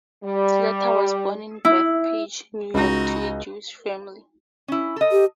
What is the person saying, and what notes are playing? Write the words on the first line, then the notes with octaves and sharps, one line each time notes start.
Slater was born in Bethpage, New York to a Jewish family.
G3
E4
C#2 D#4 F#4
C#4 E4
A4 D#5
G4